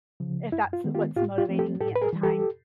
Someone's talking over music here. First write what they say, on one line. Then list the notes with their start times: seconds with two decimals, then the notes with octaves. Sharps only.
if that's what's motivating me at the time.
0.20 C#3 F3
0.52 F#2 E4
0.73 F4
0.84 D#3 G#3 B3
0.95 F4 G4
1.16 A2 F4 G4
1.38 F4 G4
1.48 F3 A3 C4
1.59 G4 A4
1.80 A2 G4 A4
1.96 B4
2.01 G#4 A#4
2.13 E3 G3
2.23 G4 A4